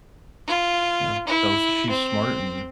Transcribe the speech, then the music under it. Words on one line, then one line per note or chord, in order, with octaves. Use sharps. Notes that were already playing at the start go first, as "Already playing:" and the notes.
Yeah, that was she's smart and
F4
E4
C4